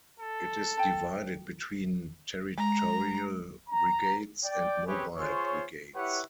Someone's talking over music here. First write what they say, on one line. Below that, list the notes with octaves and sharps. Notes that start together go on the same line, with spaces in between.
It is divided between territorial brigades and mobile brigades.
A4
G5 A5
G#3 A#5
A#5
D5 G5
C4 C#4 G4 G#4 B4 C#5
F4 G#4 C5 C#5
E4 G4 B4 C#5 F#5